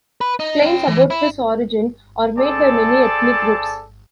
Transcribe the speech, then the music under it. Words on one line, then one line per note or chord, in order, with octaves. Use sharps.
Claims about his origin are made by many ethnic groups.
B4
D#4
C#4 G5
E3
E4
C4 G#4 A4 D5 A5